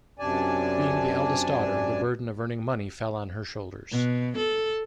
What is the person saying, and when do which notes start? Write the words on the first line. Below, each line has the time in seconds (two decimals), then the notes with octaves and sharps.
Being the eldest daughter, the burden of earning money fell on her shoulders.
0.19 F#2 C3 D4 D5 G#5 A5
3.92 B2
4.38 A4